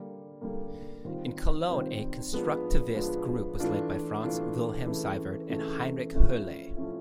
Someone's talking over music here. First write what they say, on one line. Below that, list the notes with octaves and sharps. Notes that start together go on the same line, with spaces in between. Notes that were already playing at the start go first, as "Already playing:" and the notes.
In Cologne, a constructivist group was led by Franz Wilhelm Seiwert and Heinrich Hoerle.
Already playing: D3 G3 A#3
D3 G3 A#3
D#3 G3 C4 F4
D#3 G3 C4 F4
F3 G#3 B3 D4
F3 G#3 B3 D4
E3 A3 D4 F4
E3 A3 D4 F4
C#3 E3 A3
C#3 E3 A3
F3 A3 C#4 E4
F3 A3 C#4 E4